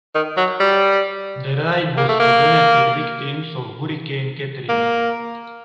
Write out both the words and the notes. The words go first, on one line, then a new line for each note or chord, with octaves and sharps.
The ride was to benefit victims of Hurricane Katrina.
D#3
F#3
G3
A#3
A3
A#3
A#3